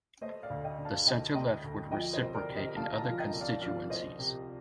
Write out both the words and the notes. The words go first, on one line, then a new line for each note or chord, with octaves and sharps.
The centre-left would reciprocate in other constituencies.
A3 C5 D#5
D5 F5
D2
D#5 G5
D3
F5 A5
D2 D#5 G5
A3 D#5 G5
D2
F3 D#5 G5
C5 D#5
C2
A#4 D5
C3
C5 D#5
A3 F5 A5
A#5
F5 A5
F3
D#5 G5
C2
D5 F5
F3 D5 F5
C2 C5 D#5
C3